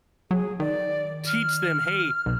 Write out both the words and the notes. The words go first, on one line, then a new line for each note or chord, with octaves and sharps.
Teach them, "Hey,
F#3 G#4
D#3 D5
F6
B1